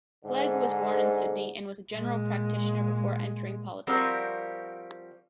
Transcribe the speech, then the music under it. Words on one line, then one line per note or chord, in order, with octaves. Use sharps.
Flegg was born in Sydney and was a general practitioner before entering politics.
G#2 D3
A#2 G#3
F3 G3 C4 F#4 A#4